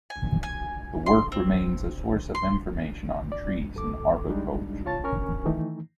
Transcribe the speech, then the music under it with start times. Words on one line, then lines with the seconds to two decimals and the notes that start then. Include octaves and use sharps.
The work remains a source of information on trees and arboriculture.
0.10 G#5
0.43 G#5
1.06 C6
1.32 C4
2.35 C6
3.32 D5
3.74 G2 A4 D6
4.29 G3 G#3 D4 D#4
4.85 C2 F4 C#5 A5 A6
5.04 C#4 A#4 G#5 C#6 F6
5.46 D#3 E3 A3 D#4